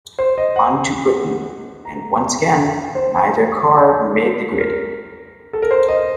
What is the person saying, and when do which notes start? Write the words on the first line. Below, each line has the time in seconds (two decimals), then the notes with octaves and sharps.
On to Britain and once again neither car made the grid.
0.19 C5
0.38 D#5
0.56 F#5
1.85 A#5
2.95 C5
4.60 A#4
5.53 A4
5.62 A#4
5.71 C5
5.88 D#5